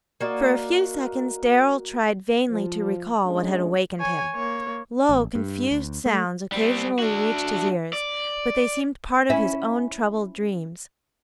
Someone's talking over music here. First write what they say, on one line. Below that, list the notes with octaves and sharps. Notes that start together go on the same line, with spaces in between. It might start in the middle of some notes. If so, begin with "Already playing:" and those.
For a few seconds Darrell tried vainly to recall what had awakened him. Low, confused sounds occasionally reached his ears, but they seemed part of his own troubled dreams.
A#3 F#4 D5 D#5
F3
D2 G#3 C#4 D4
C#5 G#5
A#3 C#5
A1
G2
D2
A3
G3 C4
D4 F#4
D5
C#4 E4